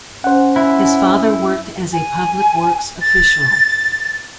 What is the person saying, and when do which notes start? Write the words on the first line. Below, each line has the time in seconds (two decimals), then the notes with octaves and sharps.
His father worked as a public works official.
0.24 C#4 C5 F#5
0.56 E4
1.93 G#5
3.02 A6